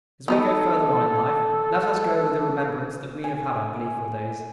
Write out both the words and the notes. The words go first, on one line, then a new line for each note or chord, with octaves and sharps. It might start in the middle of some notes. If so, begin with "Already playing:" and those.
As we go further on in life, let us go with the remembrance that we have had our gleeful days.
B3 D#4 A4 D#5
G#5